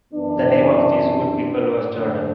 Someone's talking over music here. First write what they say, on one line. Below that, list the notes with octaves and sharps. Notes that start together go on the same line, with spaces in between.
The name of these good people was Jordan.
F#2 E3 B3 D4
F#2 D3 A3 D4